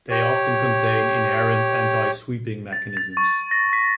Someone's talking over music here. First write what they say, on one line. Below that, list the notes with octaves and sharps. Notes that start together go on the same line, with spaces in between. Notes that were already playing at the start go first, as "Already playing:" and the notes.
They often contain inherent anti-sweeping mechanisms.
G4 C#5
A6
A6
C#6
A#6
B6